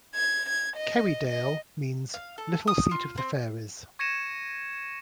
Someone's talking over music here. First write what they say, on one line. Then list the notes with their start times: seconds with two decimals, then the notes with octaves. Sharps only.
Kerrydale means "little seat of the fairies".
0.16 G#6
0.49 G#6
0.78 D#5
1.28 D#5
2.14 F5
2.38 A4
2.67 D#6
2.91 F4
3.18 C4
3.99 C#6 G#6 A#6 C#7 D#7 E7